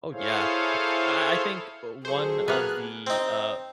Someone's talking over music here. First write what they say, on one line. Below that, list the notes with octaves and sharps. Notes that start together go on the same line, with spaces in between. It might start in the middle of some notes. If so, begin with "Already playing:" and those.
Oh, yeah, uh, I I think one of the, uh,
E4 G#4 A4 C5 C#5 F5
F#3 F4 G#4 A4 C5 C#6
A#3 B3 G#5 F6 F#6
C4 D#4